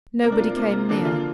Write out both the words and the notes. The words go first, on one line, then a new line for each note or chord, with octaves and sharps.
Nobody came near.
C3 A#3 A#4
D4
F4
C3 A#3
D3 F3 A#3 D4
F4